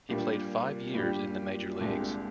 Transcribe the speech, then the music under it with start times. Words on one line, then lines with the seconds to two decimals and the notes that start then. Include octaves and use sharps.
He played five years in the major leagues.
0.09 A#2 G3 D4 G4
0.94 A#2 G3 D4 G4
1.80 C2 A#2 G#3 D4 G4